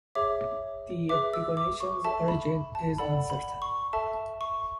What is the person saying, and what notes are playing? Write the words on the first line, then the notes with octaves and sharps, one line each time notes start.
The epigonation's origin is uncertain.
G#4 C#5 E5 D6
G#4 B4 E5 D6
E6
D6
C#6
A4 E5 A5
B5
A5
A4 D5 F#5 B5
B5
C#6
A4 E5 A5
C#6